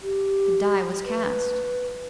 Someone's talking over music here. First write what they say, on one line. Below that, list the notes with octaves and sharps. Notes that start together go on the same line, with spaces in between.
The die was cast!
G4
B4